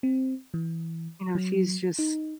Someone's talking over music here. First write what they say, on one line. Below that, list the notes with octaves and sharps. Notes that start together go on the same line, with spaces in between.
you know, she's just
C4
E3
F#3
D#4